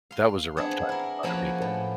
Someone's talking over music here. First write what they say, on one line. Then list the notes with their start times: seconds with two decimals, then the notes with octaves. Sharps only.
that was a rough time for a lot of people.
0.11 F5 C6
0.57 B3 C4 D4 G#4
0.89 E4 A#4
1.23 F3 A#3 C#4 F#4 G#4 B4
1.62 A2